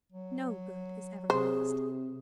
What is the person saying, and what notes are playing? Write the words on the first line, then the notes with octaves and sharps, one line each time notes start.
No good is ever lost.
F#3
C3 G#4 C5